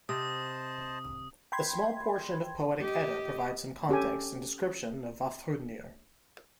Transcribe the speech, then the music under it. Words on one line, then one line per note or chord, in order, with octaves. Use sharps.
A small portion of Poetic Edda provides some context and description of Vafthrudnir.
C3 C5 D#5 A5 D#6
G5 B5 C6 G#6
G4 D#5
C#4 G4 A4 G#5